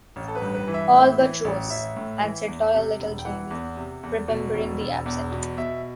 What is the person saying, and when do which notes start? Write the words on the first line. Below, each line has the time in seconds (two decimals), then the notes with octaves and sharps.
"All but Rose," answered loyal little Jamie, remembering the absent.
0.16 A1
0.28 A4
0.35 B4
0.42 G2
0.54 B4
0.67 E3
0.74 E5
0.93 A2
1.19 E3
1.44 A1
1.70 A1 E5
1.96 A2
2.23 E3
2.48 E2
2.74 C3
3.00 E1
3.19 G5
3.25 E3 F#5
3.51 E2
3.77 C3
4.03 E2
4.28 B2
4.54 E1
4.81 E1
5.06 E2
5.32 B2
5.58 B2 E5